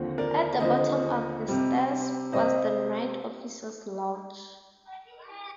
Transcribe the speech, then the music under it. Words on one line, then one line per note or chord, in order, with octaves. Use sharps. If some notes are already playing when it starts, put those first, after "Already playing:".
At the bottom of the stairs was the night officers' lodge.
Already playing: D#2 D3 F3 C4
A#4 D5
D#2 D3 F3 C4 C5 D#5
C3 G3 C4
C3 G3 C4 C5 D#5